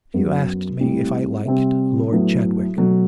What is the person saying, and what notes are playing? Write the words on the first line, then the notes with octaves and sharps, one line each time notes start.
You asked me if I liked Lord Chadwick.
F#2 F#3 B3
A2 G3 C4 E4
C3 G3 C4
A2 F#3 B3 E4
B2 F#3 A3